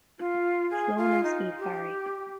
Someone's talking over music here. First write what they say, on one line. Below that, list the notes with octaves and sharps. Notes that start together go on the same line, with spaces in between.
Sloan and Steve Barri.
F4
G#4
F4
D#4
G4